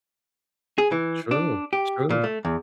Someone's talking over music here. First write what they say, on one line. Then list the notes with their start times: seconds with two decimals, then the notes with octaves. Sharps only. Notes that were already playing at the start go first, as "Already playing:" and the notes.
True, true,
0.78 G#4
0.92 E3
1.31 D4
1.73 G4
2.10 A#2
2.24 A3
2.45 E2